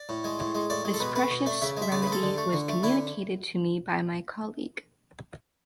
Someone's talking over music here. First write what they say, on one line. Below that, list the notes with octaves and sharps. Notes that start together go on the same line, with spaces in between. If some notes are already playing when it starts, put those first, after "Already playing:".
This precious remedy was communicated to me by my colleague.
Already playing: D5
A2
G#3
A2
G#3
A2 D5
G#3
A4
B2 B4
A3 B4
B2
A3 D5
C#3 E5
G#3
E5
C#3 D5
B4
G#3
A4
D3
A3
D3
A3
D3 E4